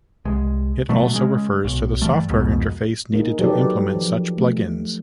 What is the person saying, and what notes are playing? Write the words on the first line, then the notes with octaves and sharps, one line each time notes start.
It also refers to the software interface needed to implement such plugins.
C2 G#3
B2 F#3 A3
C#3 G#3
B1
G2 E3 G3 A3
C2 F2 G#2 B2
A#3 D#4 G#4
F#3 D#4 G4 A4 B4 D5
F3
A3